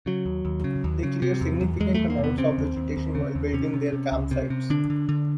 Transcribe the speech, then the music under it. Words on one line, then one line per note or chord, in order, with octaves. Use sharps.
They clear significant amounts of vegetation while building their campsites.
C#3 F#3
D#2
D#2
C#3
D#2
C#3
C3
E2
E2
E2 G#3
E2 A3
A#3
C3
B3
C#3 C4
D#2
D#2
D#2
C#3
D#2
C3 C#4
C3
C3
C#2
C3
C3
D3 D4
D3
D3